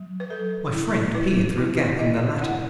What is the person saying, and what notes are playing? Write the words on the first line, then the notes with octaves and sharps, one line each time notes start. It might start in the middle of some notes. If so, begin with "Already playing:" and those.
My friend peered through a gap in the latter.
Already playing: F#3
B4
F#3 A4
E4
E4 B4
E4
E4 D#5
E4 F#5